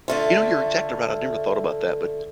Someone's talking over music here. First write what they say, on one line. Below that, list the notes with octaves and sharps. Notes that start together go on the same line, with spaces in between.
You know, you're exactly right, I've never thought about that, but
D3 A3 F4